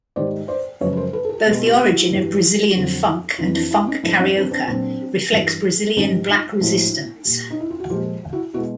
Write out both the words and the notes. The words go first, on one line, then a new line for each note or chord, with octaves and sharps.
Both the origin of Brazilian funk and "Funk carioca" reflects Brazilian black resistance.
G#2 D#3 G3 C5 D5
C5 D5
F#2 C#3 F3 G#3 B4 C#5
B4
A#4 C5
A4 B4
A4
G#4 A#4
B2 G#3 G4 A4
F4 G4
E4 F#4
G2 E3 G3
F2 D3 F#3
F2 C3 E3 D#4 F4
D4 E4
D4 E4
C#4 D#4
G#2 F3 G#3 D4 E4
C#4 D#4
C4 D4
C4 D4
A#2 F#3 C4 D4
G2 E3 G3
G#2 D#3 G3 C#4 D#4
D#4 F4
A2 F3 G#3 E4 F#4
A#2 G3
D#4
E4
F4
F#4
A#2 F3 G#3 F4 G4
E4 F#4
B2 G#3 E4 F#4